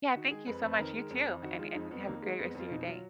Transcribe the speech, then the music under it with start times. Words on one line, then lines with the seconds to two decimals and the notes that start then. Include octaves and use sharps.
Yeah, thank you so much, you too, and and have a great rest of your day.
0.15 D#3 F#4
0.31 G#3 G#4
0.47 F2 B4
0.63 F2 B4
0.74 B4
0.79 D#3 A#4
0.95 G#3
1.10 F2
1.27 F2
1.42 D#3 F#4
1.59 G#3 F4
1.75 F2 D#4
1.91 F2 B3
2.06 D#3 A#3
2.23 G#3
2.39 F2 B3
2.55 F2 F4
2.71 B2 D#4
2.87 F#3 F4